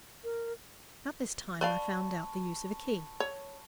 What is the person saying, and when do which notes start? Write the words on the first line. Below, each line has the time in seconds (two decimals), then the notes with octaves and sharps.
About this time I found out the use of a key.
0.24 A#4
1.61 B4 D5 F5 A5 B5 C#6
3.20 C#5